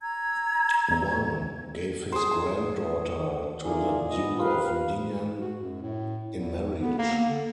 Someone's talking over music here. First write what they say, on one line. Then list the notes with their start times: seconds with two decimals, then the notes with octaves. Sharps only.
Wang gave his granddaughter to the Duke of Ding'an in marriage.
0.01 A#5 E6 G#6
2.12 G#4 C5
3.64 E3 D#4 F4 G#4 A#4 D5
4.08 F3 B3 D#5
4.38 F4 G4 A#4 B4 F5
5.40 F#4
5.61 F#2
5.82 A2
6.37 E2
6.81 B3
6.98 A#3
7.29 D3